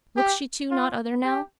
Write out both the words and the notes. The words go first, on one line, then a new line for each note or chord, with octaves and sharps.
Looks she too not other now?
G4
F4
G4